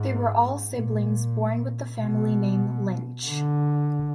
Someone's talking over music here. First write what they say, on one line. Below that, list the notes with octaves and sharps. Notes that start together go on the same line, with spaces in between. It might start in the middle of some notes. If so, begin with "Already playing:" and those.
They were all siblings born with the family name Lynch.
Already playing: G#2
A#2
B2
D3